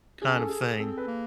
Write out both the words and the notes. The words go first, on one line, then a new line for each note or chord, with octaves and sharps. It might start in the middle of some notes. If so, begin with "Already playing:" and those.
kind of thing,
C#4 G#4
A4
G#4
C4 A4
B4
A#3